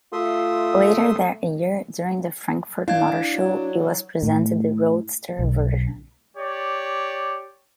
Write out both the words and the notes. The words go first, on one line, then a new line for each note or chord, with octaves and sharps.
Later that year, during the Frankfurt Motorshow it was presented the roadster version.
A3 F4 E5 C6 D#6
D4 E4 F5 G#6
F#3
A2
B1
G4 C#5 D5